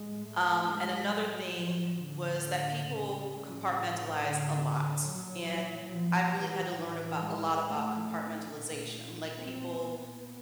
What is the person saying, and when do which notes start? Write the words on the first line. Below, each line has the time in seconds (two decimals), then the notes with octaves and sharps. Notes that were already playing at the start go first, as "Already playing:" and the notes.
Um, and another thing was that people compartmentalize a lot, and I've really had to learn about a lot about compartmentalization, like, people
Already playing: A2 G#3
0.25 A3
0.69 G#3
1.12 F#3
1.56 A2 F3
1.99 D3
2.87 C#3
3.30 A2
4.17 D3
5.03 A#2 F#3
5.48 F#3
5.91 F3
6.34 E3
6.78 A2
7.22 G#3
7.65 A3
8.52 A#2
9.39 C4
9.82 B3